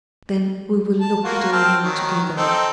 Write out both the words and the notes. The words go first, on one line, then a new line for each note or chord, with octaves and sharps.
Then we will look it over together.
A5
A#3 F4 F#4
C4 A5 F6
D#3 F#3
C4 D#4 A4